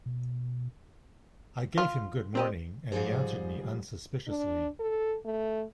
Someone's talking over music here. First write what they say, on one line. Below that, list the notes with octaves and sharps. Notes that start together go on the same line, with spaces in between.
I gave him good morning and he answered me unsuspiciously.
B2
F4
C4 G4 D#5
G#2 F3 G3 G#4 C5
D4
A4
A3